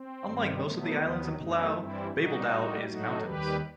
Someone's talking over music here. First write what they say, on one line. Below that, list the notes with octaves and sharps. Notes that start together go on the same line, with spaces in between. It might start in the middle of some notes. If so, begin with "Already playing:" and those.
Unlike most of the islands of Palau, Babeldaob is mountainous.
Already playing: C4
G2 D#3 G3
B2 F#3 A3 B3
D#2 D#3 F#3
F#2 E3 A3 B3 D#4
G2 E3 G3 C4 E4
B2 G3 D#4 F#4
A2 G3
A2 F#3 A3 D#4 F#4
D#2 D#3 G3 G4 B4